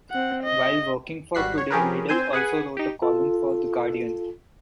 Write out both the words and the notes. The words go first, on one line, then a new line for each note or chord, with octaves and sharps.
While working for "Today", Liddle also wrote a column for "The Guardian".
C4 F#5
D#5
G#1 G3 F#4 F#6 B6 C7
C#5
F3 C#4 G4 G#4 A#4 B4
C4 C5 G#5 G6 D#7
G#4 B4 F#5 G#5
D#4 G4
F4 A4